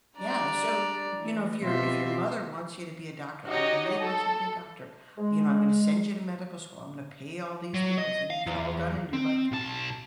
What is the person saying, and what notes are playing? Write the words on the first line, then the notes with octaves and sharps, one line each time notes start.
Yeah, so, you know, if your if your mother wants you to be a doctor, "I really want you to be a doctor," you know, "I'm gonna send you to medical school, I'm gonna pay all these bills," and you get all done and you're like,
G3 D4 D5 A#5
E3 A3
B2 C4 F4 G4 E5 C6
D#4 F#4 G4 C#5 D#5
A4
G#3
F#3
D#5
F5
E2
C4
B1 A5